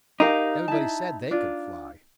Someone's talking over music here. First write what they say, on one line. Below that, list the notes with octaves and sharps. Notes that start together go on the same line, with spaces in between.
Everybody said they could fly.
D#4 G4 A#4 F5
E4 A5
D4 F4